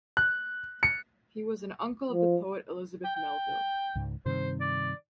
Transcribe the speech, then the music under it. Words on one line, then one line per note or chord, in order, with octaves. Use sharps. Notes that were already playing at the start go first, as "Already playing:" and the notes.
He was an uncle of the poet Elizabeth Melville.
F#6
C#7
F3
G5
G5
C#2 G#2
G2 C3 D#3 C5
D5